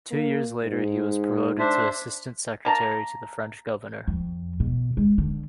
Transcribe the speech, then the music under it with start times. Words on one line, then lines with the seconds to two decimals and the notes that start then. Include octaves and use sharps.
Two years later he was promoted to assistant secretary to the French governor.
0.11 A#3
0.63 G#2
1.59 D4 C5 E5
2.65 A#3 A5 A#5
4.08 F2
4.60 B2
4.97 G#3
5.18 D3